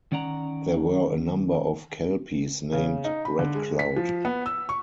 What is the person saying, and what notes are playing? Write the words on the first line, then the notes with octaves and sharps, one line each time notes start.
There were a number of Kelpies named Red Cloud.
D#3 C#4 D5 F#5 A#5
C#3
D#4
B5
D3
G#3
B6
F3
B3
E6
C#6